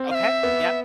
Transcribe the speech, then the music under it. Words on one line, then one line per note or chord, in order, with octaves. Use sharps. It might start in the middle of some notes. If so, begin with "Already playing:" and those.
Okay, yep.
Already playing: C4
F5
E5
B3